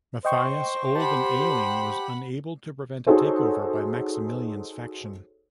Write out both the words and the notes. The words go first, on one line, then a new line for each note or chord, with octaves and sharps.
Matthias, old and ailing, was unable to prevent a takeover by Maximilian's faction.
C5 D#5 G5 C#6
G4 F#5 A5 B5
D#4 F#4 G#4 A4 C5 C#5